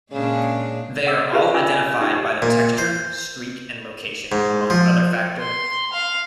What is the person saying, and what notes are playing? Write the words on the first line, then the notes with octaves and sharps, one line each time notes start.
They are all identified by their texture, streak, and location, among other factor.
A#2 C#3 G#3 D4
F#5 D6 E6
F4 G4 G#4 B4 C5 F5
C#4 F4 D#5 G#5 D6 E6
C#5
D#4 F4 G4 D5 D#5
A#2
C5
G#2
F3
C6
F5